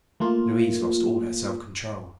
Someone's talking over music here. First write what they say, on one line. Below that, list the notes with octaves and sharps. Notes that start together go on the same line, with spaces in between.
Louise lost all her self-control.
A3 A#3 F4